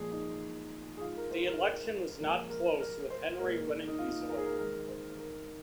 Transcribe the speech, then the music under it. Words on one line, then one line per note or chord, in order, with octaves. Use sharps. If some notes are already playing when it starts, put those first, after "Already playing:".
The election was not close with Henry winning easily.
Already playing: A#2 F3 G#3 G#4
D#4
G#4
G#2 G#3 F4
A#4
C5
A#4
A#4
A#2 F3 G#3 A#4
A#4
A#4
C5
A#2 G#3 A#4
D#4
F4
A#4
G#4
A#4
G#2 D#3 G#3 A#4
C5
A#4